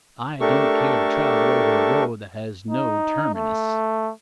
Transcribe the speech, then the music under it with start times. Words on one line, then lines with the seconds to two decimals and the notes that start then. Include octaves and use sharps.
I don't care to travel over a road that has no terminus.
0.41 A3 D4 G4 A4 A#4 C#6
2.70 D#4
3.35 A3